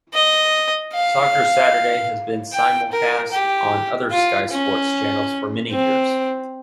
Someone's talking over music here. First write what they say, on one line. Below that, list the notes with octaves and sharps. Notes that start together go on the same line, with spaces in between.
Soccer Saturday has been simulcast on other Sky Sports channels for many years.
D#5
F5
G5
A#4
G4
F4
C#4
C4